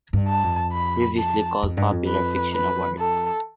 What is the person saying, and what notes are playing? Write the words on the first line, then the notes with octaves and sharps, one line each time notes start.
Previously called Popular Fiction Award.
G2
A5
F2
B5
A5
F2
G2
F2
B4
B4
A4